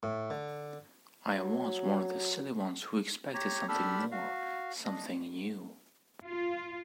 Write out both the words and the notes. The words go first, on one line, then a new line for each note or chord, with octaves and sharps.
I was one of the silly ones who expected something more, something new...
A2
D3
F#3
G4 C#5 A#5
D4 G4 A4 B5 E6 F6
F#4 F5
D4 D#5
F4